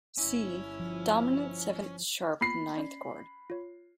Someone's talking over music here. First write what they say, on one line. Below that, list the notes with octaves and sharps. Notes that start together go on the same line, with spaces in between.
See: Dominant seventh sharp ninth chord.
G1 C#4 E4
F3
A#3 B3 F4 B5 C7
C#4 D5
F4 C#5